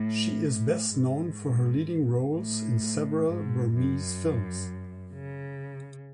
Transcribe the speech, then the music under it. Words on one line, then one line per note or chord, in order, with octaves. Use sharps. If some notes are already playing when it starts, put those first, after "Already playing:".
She is best known for her leading roles in several Burmese films.
Already playing: A2
A2
G#2
A2
G#2
F#2
C#3